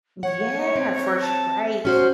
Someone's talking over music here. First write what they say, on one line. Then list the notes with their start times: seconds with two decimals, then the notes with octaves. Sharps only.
Yeah, for su right.
0.23 C#5 F#5
0.76 C4
1.21 A5
1.85 C#4 F#4 C5 F6